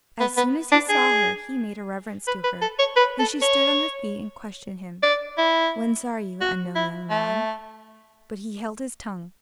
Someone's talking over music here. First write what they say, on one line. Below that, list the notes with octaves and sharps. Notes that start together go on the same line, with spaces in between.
As soon as he saw her, he made a reverence to her, and she stood on her feet and questioned him: "Whence are you, unknown young man?" But he held his tongue.
B3
B3
D4
G#4
B4
B4
A4
C#5
B4
A4
C#5
D5
E4
F#4
E4
A3